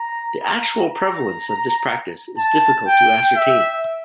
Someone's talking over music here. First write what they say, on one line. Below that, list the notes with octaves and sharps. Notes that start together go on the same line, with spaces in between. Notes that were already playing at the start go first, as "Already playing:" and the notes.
The actual prevalence of this practice is difficult to ascertain.
Already playing: A#5
A#5
A#5
A5
G5
E5